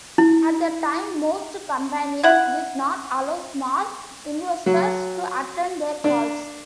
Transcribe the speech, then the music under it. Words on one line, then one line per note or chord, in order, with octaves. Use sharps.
At the time, most companies did not allow small investors to attend their calls.
E4
E4 F#5
F#3
D4